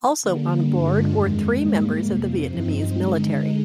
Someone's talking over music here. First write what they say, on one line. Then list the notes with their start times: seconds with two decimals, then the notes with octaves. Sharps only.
Also on board were three members of the Vietnamese military.
0.22 D3 G3 A#3
0.67 G2 D3 G#3 D4 F4
1.12 F2 D#3 G#3
1.56 G#2 G3 A#3
2.01 F2 C3 F3
2.46 G2 F3 C4 D#4
2.91 D3 G#3 D#4